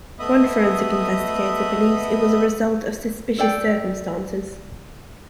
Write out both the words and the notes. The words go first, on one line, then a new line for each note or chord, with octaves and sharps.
One Forensic Investigator believes it was a result of suspicious circumstances.
A3 B3 D#5 E5 B5 D#6
A4 D5 G5